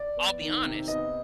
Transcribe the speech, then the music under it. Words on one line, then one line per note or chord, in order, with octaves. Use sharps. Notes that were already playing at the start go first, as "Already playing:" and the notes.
I'll be honest,
Already playing: D5
B3
D#3
C3
B3 D#5